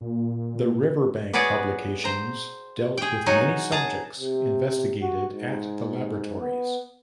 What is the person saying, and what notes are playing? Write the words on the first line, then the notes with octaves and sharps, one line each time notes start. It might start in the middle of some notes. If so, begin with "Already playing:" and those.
The Riverbank Publications dealt with many subjects investigated at the laboratories.
A#2
B3 F#4 G#4 C#5 D5
C5 A#5
G#4 G5
F#3 D#4 F#4 G#5
G#4 A5 A#5
C3
F#4
G#2
B3